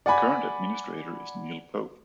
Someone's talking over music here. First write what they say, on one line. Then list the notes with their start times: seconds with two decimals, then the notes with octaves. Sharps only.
The current Administrator is Neil Pope.
0.06 D5 F#5 G#5 B5